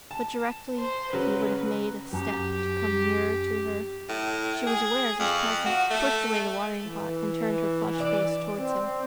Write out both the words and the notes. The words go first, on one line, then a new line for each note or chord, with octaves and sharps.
But, directly he would have made a step to come nearer to her, she was aware of his presence, pushed away the watering pot, and turned her flushed face towards him.
A5
C5
C#3 F#3 B4
F#2 G4
A2
G#4
F2
F#4
A3
E3
D4 D5
C4